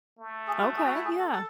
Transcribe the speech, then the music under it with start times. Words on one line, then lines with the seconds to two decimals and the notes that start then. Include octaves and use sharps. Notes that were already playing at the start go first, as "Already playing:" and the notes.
Okay, yeah.
0.19 A3
0.47 G#4
0.61 F#4
0.76 G#4
0.86 F#4
0.94 E4
1.05 G#4
1.19 A4
1.33 A4